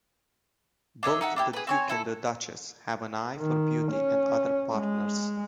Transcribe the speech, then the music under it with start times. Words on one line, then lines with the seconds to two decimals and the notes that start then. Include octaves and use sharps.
Both the Duke and Duchess have an eye for beauty and other partners.
1.03 D4 C#5 D#5 E5
1.21 D#4 E5 F#5
1.36 D4 E4 G4
1.53 G#4 B4
1.67 C4 C#5 G#5
1.89 E4 A4
3.37 D#3
3.92 C#4
4.74 G#3